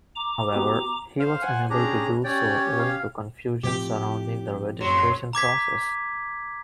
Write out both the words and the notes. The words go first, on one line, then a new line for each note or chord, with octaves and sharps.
However, he was unable to do so owing to confusion surrounding the registration process.
A#5 D6
B3 F#4 G4
C5 F5
F#5 G#5
C#4 D4 G4 G#4 A#5
C#4 G4 C#5 D5 G5
F5
A2 F3 C4 G4
F#1 F#3 C6
A#5 D6 G#6 B6